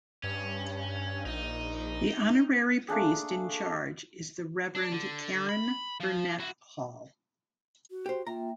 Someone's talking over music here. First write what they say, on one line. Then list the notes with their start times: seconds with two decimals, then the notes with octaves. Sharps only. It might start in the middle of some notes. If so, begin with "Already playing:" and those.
The honorary priest in charge is the Reverend Karen Burnett-Hall.
0.24 G2 C#4
1.26 A#1 D#4
2.88 A3 A#3 D4 G#4
4.75 D4
4.92 D3
5.49 B5
6.00 F3
6.40 E4 F#4
7.91 F#4
8.06 G4 C5
8.27 A#3 F4 E5 G5 A#5